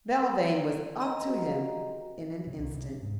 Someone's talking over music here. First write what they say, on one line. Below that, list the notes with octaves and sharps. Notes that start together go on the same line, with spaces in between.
Belvane was up to him in an instant.
A#3 A#5 C6
D#5 A#5
F#3 G#3 G4
C#3
C2
C3
G#2